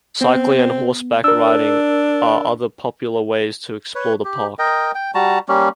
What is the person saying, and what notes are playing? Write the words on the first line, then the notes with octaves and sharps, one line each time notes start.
Cycling and horseback riding are other popular ways to explore the park.
B3 C4
D4 A#4 E6
B4 C#5
G4
A#4 D#5 G5
G5
G3 F#4 A5 A#5
G3 A#3 C#4